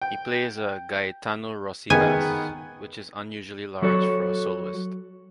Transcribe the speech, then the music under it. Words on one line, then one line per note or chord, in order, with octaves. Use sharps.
He plays a Gaetano Rossi bass, which is unusually large for a soloist.
G5
D#3 B3 D#4 G#4 G5 G#5
F#3 F#4 A4 C#5